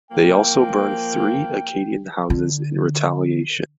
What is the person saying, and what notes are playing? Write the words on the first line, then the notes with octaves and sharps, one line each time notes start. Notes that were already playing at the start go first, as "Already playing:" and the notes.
They also burned three Acadian houses in retaliation.
F3 A#3 G5
D3